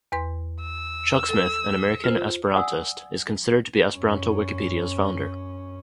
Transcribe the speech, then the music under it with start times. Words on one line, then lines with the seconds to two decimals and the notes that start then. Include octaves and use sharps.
Chuck Smith, an American Esperantist, is considered to be Esperanto Wikipedia's founder.
0.12 E2 B4 C6
0.61 E6
1.29 A4
2.04 F4 C5
2.55 D5 F5 F#5 G#5 D#6 E6
3.91 F#2 C#4